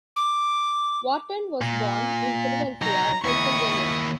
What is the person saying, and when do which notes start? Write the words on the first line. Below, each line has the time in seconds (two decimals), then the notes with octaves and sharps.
Wharton was born in Philadelphia, Pennsylvania.
0.16 D6
1.61 A#2
2.82 F#3 D#4 A#5
3.24 D#2 E4 C#6 D#6